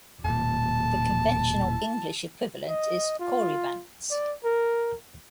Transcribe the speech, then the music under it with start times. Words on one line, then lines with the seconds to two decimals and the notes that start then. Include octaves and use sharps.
The conventional English equivalent is "Corybants".
0.25 E1 A#2 A5
2.68 D#5
3.19 F4
4.11 D5
4.44 A#4